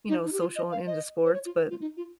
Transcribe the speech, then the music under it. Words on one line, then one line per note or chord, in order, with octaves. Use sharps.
you know, social and into sports, but
D#4
D#4
G4
F4
D#5
F5
D#5
C5
C#5
F4
F4
D#4
F4